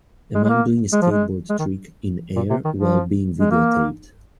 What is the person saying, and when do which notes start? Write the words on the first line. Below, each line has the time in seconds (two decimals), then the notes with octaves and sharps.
A man doing a skateboard trick in air while being videotaped.
0.35 G#3
0.45 G#3
0.49 A#3
0.93 G#3
1.02 F3
1.12 G#3
1.50 G#3
1.59 D#3
2.36 A#2
2.50 C3
2.65 D#3
2.79 F3
3.40 G#3
3.51 A#3